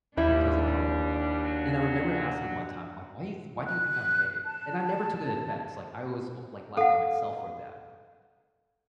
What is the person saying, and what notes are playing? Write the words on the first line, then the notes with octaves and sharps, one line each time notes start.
because of how I look, and, I remember asking one time, "Like, why is why do why do you think I'm gay?" And I never took it offense, like, I always l like, laugh at myself for that.
D#2 G3 D4 E4
F#3
F#6
A5
A4 F5 F#5